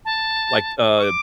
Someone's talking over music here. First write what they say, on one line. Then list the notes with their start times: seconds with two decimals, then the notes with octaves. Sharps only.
like, a
0.05 A5
0.98 C#6
1.03 D6